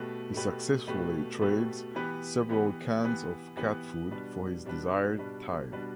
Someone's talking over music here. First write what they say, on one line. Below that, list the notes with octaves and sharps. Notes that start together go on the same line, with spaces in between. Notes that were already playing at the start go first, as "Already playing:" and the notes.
He successfully trades several cans of cat food for his desired time.
Already playing: B2 A3 G4 B4
B2 A3 G4 B4
B2 A3 G4 B4
B2 A3 G4 B4
E3 B3 G4 B4
E3 B3 G4 B4
E3 B3 G4 B4
E3 B3 G4 B4
B2 G3 D4 B4
B2 G3 D4 B4
B2 G3 D4 B4
B2 G3 D4 B4